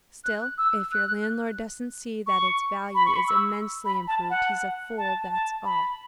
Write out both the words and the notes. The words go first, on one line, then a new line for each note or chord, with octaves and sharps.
Still, if your landlord doesn't see that its value is immensely improved, he's a fool, that's all.
F#6
E6
F#6
C#6
B5
C#6
B5
E6
B5
A5
F#5
A5
A5
B5